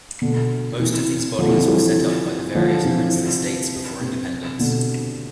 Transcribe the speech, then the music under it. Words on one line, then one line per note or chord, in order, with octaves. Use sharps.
Most of these bodies were set up by the various princely states before independence.
B2 D3
C3 E3
D3 F3
C3 E3
D3 F3
E3 G3
D3 F3
C3 E3
C3
B2 D3